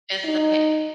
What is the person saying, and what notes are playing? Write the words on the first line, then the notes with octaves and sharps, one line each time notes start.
It's the pa
D#4